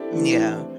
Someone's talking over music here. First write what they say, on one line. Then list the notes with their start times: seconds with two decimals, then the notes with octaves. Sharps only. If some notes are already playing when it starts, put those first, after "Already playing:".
Mm, yeah.
Already playing: C4 D4 E4 G4 A4
0.13 E3 A3 D4
0.57 C4